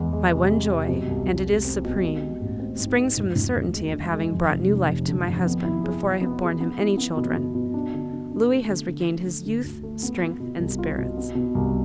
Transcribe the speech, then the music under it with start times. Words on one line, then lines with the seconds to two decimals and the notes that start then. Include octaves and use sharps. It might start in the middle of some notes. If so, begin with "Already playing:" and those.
My one joy, and it is supreme, springs from the certainty of having brought new life to my husband before I have borne him any children. Louis has regained his youth, strength, and spirits.
Already playing: E2 G#3
0.13 G#3
0.32 C3
0.50 G#3
0.70 C3
0.89 B2
1.07 C2
1.27 B2
1.47 A3
1.65 C4
1.84 B2
2.02 G#3
2.22 G#3
2.41 A1
2.60 C4
2.79 G#2
2.98 G#3
3.17 E1
3.36 E1
3.55 D2
3.74 G#3
3.93 D3
4.12 G#3
4.32 F2
4.51 F1
4.69 F1
4.88 F2
5.08 D3
5.27 F2
5.46 B3
5.65 E4
5.84 G#4
6.03 B2
6.21 B3
6.41 G#4
6.60 B3
6.79 E4
6.97 B3
7.17 B2
7.36 B2
7.55 B2
7.74 D4
7.93 D3
8.13 D3
8.31 D4
8.50 A3
8.69 D3
8.89 D3
9.08 A3
9.26 D3
9.46 D3
9.64 D2
9.83 A3
10.03 B3
10.22 F4
10.40 B2
10.59 C2
10.79 F4
10.98 B2
11.17 B3
11.35 B2
11.55 C2